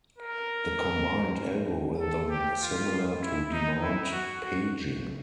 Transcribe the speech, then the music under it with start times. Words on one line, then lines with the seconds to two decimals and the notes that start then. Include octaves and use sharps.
The combined algorithm is similar to demand paging.
0.18 A#4
2.00 A4
2.30 G4
2.61 F4
3.22 E4
3.52 D#4
3.82 E4
4.12 F#4
4.42 F#4